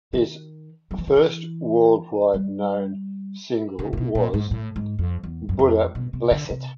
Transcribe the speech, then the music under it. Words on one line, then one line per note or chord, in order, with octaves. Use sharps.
His first worldwide known single was "Buddha blessed it".
E3
D#3
F3
E3
D#3
E3
G3
C#3
A#2
B2
A#2
G#2
A2
G#2
F2
E2
F#2
F2
B2
C3
D3
C3